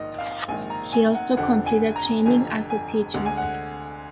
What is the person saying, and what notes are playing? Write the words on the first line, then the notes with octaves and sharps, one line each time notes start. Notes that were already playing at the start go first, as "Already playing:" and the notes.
He also completed training as a teacher.
Already playing: A#1 G#2 D#3 D#5
F5
A#1 G#2 D#3 G#5
A#5
G#5
F#5
F1 F2 D3 F#5
G#5
A#5
F1 F2 D3 G#5
G#5
D2 D3 G#3 F#5
G#5
F#5